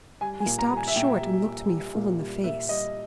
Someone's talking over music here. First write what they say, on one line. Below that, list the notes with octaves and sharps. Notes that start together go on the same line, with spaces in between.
He stopped short and looked me full in the face.
G3 G#5
G#5
A#2
A#5
G3
G#5
E5
A#2 G5
G3
A#2
G3
A#2
G3
A#2 E5
G3 D#5